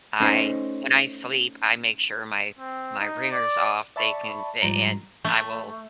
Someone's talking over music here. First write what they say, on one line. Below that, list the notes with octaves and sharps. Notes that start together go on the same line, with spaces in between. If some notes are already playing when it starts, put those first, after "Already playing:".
I when I sleep I make sure my my ringer's off. They can a and I will
A3 C#4 D#4 C5
C4
D#4
D5
D5 E5 A5 B5 C#6
G#2 F3 G3 A#5
A3